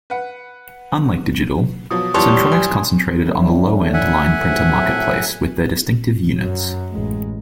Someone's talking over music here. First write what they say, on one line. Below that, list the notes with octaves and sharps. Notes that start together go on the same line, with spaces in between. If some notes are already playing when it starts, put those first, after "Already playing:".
Unlike Digital, Centronics concentrated on the low-end line printer marketplace with their distinctive units.
B4 F#5
B2 F3 F#3 D#6
E2 E3 F3 G3 C#5 A5 C6
G#5
A2 D3
E5 F#5 G#5
G#1 A2
F#2 F#3
A1 G#3